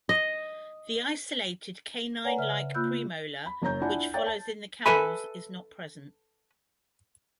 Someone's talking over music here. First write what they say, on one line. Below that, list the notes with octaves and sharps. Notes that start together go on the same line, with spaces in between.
The isolated canine-like premolar which follows in the camels is not present.
D#5
B4 C#5 D5 F#5 G#5 A#5
C#3 E5 F6
A#3 F4 B5 E6 F#6 G6
B5
F#1 F#2 C#5 A#5 G6
D4 E4 F4 D5 F#5 G#5
C#5 D5 E5 F5 G5 A6
A5
A4 B4 E5 G#5 B5